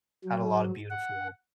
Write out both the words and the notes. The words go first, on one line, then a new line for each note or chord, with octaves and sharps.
had a lotta beautiful
F#3
F#5